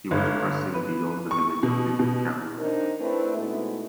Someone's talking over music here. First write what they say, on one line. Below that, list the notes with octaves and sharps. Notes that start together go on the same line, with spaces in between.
He was pressing beyond the limits of his vocabulary.
G1
B4
C#6
B2
B2
C4 D4 D#4 A#4
A3 C4 D4 E4 B4
B2 G#3 A3 B3 D#4 E4